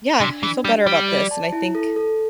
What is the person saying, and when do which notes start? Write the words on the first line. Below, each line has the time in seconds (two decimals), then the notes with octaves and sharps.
yeah, I feel better about this, and I think
0.21 C3 D4
0.43 E3 D4
0.64 G3 G4
0.87 G3 G4
1.08 D5
1.31 A5
1.53 E4
1.75 A4
1.96 A4